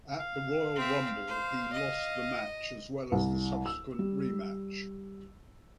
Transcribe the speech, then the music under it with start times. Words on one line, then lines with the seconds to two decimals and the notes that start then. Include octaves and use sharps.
At the Royal Rumble, he lost the match, as well as a subsequent rematch.
0.19 F5
0.76 C4 E5
1.27 C5
1.72 D#5
3.12 C2
3.66 E6
3.99 G3